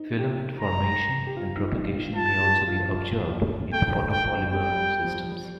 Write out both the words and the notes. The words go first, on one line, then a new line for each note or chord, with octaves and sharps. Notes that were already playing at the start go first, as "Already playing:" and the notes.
Filament formation and propagation may also be observed in photopolymer systems.
Already playing: D#4
G4
A#5
G4
F4
D#4
D#4
F4
F4 A5
G4
F4
A3 G5
G5
G3 G5
G3
F3
G3